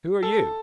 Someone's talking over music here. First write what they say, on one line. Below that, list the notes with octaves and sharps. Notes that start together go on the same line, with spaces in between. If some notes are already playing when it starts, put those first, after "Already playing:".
"Who are you?"
A4